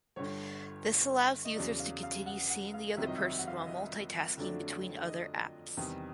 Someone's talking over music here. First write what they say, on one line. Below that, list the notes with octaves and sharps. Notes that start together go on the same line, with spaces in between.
This allows users to continue seeing the other person while multitasking between other apps.
G1 G2 D3 C#5
D#5
E2 C#3 F#3 D5
F5
F5
F#5
F#5
F5
G1 F2 C3 D#3 F#3 E5
D#5
E5
F#5
F5
E5
D#5
F2 D3 F#3 A3 D4
D#5
E2 C3 D#3 G3